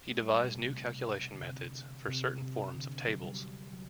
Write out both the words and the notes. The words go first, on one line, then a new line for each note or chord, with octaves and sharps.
He devised new calculation methods for certain forms of tables.
A3
G3
G3
B2
C3
C3
D3
C3
C3
C3
D3
F#3
G3
F#3